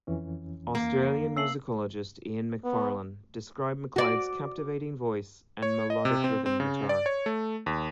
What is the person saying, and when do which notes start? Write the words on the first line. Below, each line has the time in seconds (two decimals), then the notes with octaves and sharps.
Australian musicologist, Ian McFarlane, described McLeod's captivating voice and melodic rhythm guitar.
0.07 F2 E3 C#4
0.75 A#3
1.37 C#4 E5 A5 E6 C7 F#7
2.64 B3
3.96 F#4 D5
5.62 C#5
5.90 D#5
6.05 C3
6.24 C4
6.46 C4
6.60 C#3
6.89 D5
7.06 C#5
7.26 A3
7.66 D#2